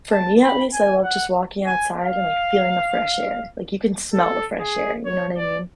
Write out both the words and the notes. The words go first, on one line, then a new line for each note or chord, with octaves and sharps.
for me at least, I love just walking outside and, like, feeling the fresh air. Like, you can smell the fresh air, you know what I mean?
A5
B5
G#5
F#5
G#5
F5
A4
G#4
C#5
D5